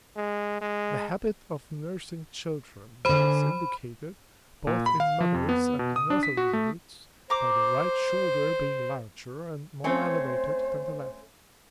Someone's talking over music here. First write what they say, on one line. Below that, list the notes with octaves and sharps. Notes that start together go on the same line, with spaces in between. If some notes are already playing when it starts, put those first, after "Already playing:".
The habit of nursing children is indicated, both in mothers and nursery-maids, by the right shoulder being larger and more elevated than the left.
G#3
G#3
D3 G#4 C5 B5
A#2
B5
F5
F3
F2
B3
B2
D#6
D4
B6
F#4
A3
C5 A#5 D6
A3 C4 C#4 C5